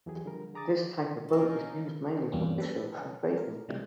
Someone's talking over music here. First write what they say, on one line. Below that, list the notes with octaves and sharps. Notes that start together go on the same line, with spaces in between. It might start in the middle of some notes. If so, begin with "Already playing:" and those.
This type of boat is used mainly for fishing and trading.
E2 E3 F#3 G4 G#4
D3 F3 G3 A#4
D3 G#4 A#5 D6 D#6 A6
A#3 C#4 D#4 A4 A#4
E2 G2 G3 A#3 C4 C#4
C#4 A4 B4
A#4
C3 G3 A3